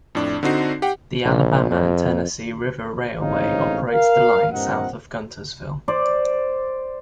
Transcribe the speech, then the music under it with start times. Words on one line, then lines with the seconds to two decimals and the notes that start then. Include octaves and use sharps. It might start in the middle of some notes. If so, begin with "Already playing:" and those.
The Alabama and Tennessee River Railway operates the line south of Guntersville.
0.15 F2 A2 D4
0.43 D3 C4 D#4 F#4 C7
0.82 G4 F#5 G5
1.24 A#1
1.70 F2
3.21 A1 G#2 C4 D#4 C#5 F5
3.90 A#4 F5
4.52 G2 A#2 C4 A#4 D#5 F#5
5.88 C5 D5